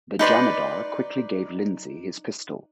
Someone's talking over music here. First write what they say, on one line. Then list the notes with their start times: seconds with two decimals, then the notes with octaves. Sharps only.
The jamadar quickly gave Lindsay his pistol.
0.19 D#4 B4 D5 C6